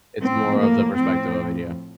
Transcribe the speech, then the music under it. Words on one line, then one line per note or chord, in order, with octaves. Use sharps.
It's more of the perspective of it, yeah.
A2 F3 C4
A#3
A2 F3 C4